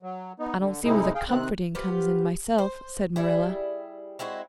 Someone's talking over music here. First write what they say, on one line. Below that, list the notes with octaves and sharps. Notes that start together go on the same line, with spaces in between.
"I don't see where the comforting comes in myself," said Marilla.
F#3
B3 D#4
D3
A2 C3 G#3 D#4 E4
G#4 F5 G5
C3 D#3 C4 F#6
B3 F4 G4 C5
C5
G3 E4 G#4
G#3 C4 E4 F#4